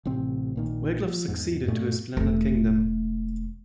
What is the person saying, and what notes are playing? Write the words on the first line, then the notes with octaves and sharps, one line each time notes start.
Wiglaf succeeded to his splendid kingdom.
A1 C3 C4
A#1 A#2 D#3
F3
E2 G#2
G2 A#2 A3
E1 A3